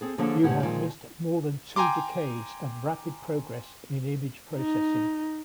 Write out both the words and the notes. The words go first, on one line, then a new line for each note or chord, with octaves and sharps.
You have missed more than two decades of rapid progress in image processing.
C4 G#4 A4
D3 F3 A#3 C#4 G#4 A4
E2 A2 G#3 G4 C#5 F#5
A#2 D#3 F3 G#3
G5 G#5 A#5 C6 D6
D#4